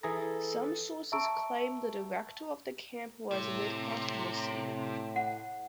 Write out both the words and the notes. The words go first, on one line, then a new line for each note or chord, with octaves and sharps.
Some sources claim the director of the camp was Midhat Mursi.
E3 G#4 A4 A#5
E5 A5 A#5 C#6 E6 D7
A2 C3
F#5